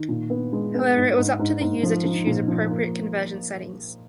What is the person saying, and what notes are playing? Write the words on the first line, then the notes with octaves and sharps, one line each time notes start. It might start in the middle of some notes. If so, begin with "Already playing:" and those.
However, it was up to the user to choose appropriate conversion settings.
Already playing: D#3
A#2
B3
G#3
B3
G#2
G#2
G#2
G#2
F3
F3
A#2
F3
A#3